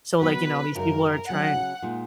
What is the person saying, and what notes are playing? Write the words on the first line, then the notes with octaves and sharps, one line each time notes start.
so, like, you know, these people are trying
B2 F#3 B3 F#4 B4
F#2 C#3 G#3 D#4 F#4 A#4
C#3 F#3 C#4 F#5
A#2 G#3 D#4